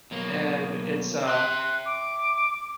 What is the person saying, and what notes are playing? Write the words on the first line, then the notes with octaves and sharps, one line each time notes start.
And it's a
B2 F#3 A#3
E5 G5 C6 F#6
D6